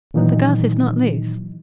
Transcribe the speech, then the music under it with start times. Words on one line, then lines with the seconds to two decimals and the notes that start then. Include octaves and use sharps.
"But the girth is not loose."
0.14 A#2 D#3 E3 F#3 D#4